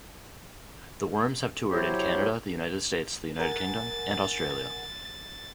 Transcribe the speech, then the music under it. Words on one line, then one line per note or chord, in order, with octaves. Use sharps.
The Worms have toured in Canada, the United States, the United Kingdom, and Australia.
F#3 E4 G4 C5 C#5
A#4 F#5 G#5 A6